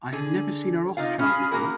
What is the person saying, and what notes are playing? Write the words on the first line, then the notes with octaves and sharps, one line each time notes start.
I have never seen a Rothschild before.
D3 G#4
C3 D#4 F4 F5
C#4 F4 G#4 B5 F6
A#3 F#4 A#4